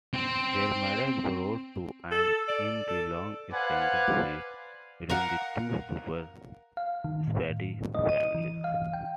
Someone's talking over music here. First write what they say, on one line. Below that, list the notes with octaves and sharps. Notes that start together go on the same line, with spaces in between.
Their marriage brought to an end the long-standing feud between the two super-speedy families.
C4 C5
A4
D5
A4
B4 C5 D5 F5 F#5 G#5
A#4 F5 F#5
F5
D#3
A2
D#5
D#7
E3
F5
G5